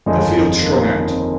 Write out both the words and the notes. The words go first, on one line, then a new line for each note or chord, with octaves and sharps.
The field strung out.
G1 F2 D#3 G#3 D#4
C4
A#3
A#3
C4